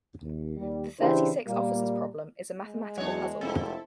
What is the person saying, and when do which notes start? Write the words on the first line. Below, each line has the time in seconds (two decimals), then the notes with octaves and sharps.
The thirty-six officers problem is a mathematical puzzle.
0.22 D#2
0.57 D#2 G3
1.00 C#3 E3 D4 E4 G4 C5
1.48 A#2 G3 A#3
2.65 G#3
2.98 E2 F#3 D4 C#5
3.41 F1 C4 E4 A4